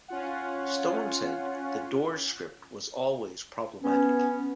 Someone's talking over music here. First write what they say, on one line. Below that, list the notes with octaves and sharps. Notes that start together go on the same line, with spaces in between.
Stone said, "The Doors" script was always problematic.
C#4 F4 F#5
B3 C#4